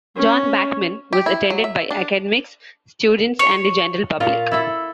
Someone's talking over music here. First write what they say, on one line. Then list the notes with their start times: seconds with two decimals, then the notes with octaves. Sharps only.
John Bachman was attended by academics, students, and the general public.
0.16 C#4
1.13 G4
1.26 E4
1.50 F#3
1.64 E5
1.91 D4
3.39 C#5
4.20 A#2 F4
4.51 E4 A4 E5